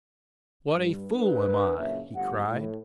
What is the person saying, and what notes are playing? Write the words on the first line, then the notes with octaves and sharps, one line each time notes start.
"What a fool am I!" he cried.
G2
D4 A#4 B4
F#1 A#2 C#3 C#4 D4 E5
G1 D2 F3 G4 F#5
A2